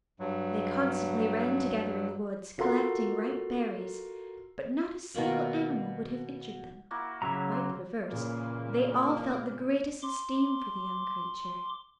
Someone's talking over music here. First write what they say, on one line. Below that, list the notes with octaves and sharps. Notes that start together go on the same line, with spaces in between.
They constantly ran together in the woods, collecting ripe berries; but not a single animal would have injured them; quite the reverse, they all felt the greatest esteem for the young creatures.
G2 F#3
F4 F#4 A4 A#4 C6
B2 D#3 A#3 B5
A#3 E4 F#4
C#3 F#3 C#5 E5 A#5
C6
A#2 C#3 E3 A#3
C6 D6